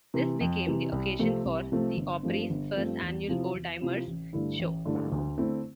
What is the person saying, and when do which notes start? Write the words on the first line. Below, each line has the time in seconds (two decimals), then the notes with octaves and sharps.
This became the occasion for the Opry's first annual Old Timers' Show.
0.14 C3 E3
0.41 F2
0.66 C3 E3
0.92 C2
1.19 C3 F3 A3 C4
1.45 C2
1.72 C3 F3 A3 C4
1.97 G1
2.23 G2 F3 A3 C4
2.50 G1
2.77 G2 F3 A3 C4
3.02 E2
3.28 C3 F3 C4 E4
3.54 E2
3.81 C3 F3 C4 E4
4.07 A1
4.33 G2 D3 A3 E4
4.59 A1
4.85 G2 D3 A3 E4
5.12 D2
5.38 D3 A3 C4 E4